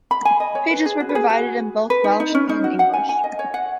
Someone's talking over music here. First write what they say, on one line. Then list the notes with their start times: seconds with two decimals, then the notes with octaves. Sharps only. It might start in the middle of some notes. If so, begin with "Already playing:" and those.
Pages were provided in both Welsh and English.
0.11 B5
0.25 G#5
0.40 D#5
0.55 C#5
0.70 B4
0.86 G#4
1.00 F#4
1.09 B4
1.15 G#4
1.30 F#4
1.90 B4
2.04 D#4
2.20 D#4
2.35 C#4
2.49 D#4
2.64 F#4
2.79 F#5
2.94 G#5
3.09 G#5
3.24 D#5
3.39 C#5
3.54 F#5